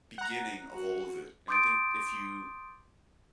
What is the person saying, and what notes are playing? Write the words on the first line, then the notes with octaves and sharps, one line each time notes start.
beginning of all of it. And I think if you
F#5 A#5
F#4
C6 D6 D#6 G6 A6 D7